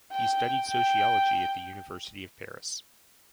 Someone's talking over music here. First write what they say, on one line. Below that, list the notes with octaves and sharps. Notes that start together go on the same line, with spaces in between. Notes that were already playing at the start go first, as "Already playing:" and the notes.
He studied sociology at the University of Paris.
G5
G5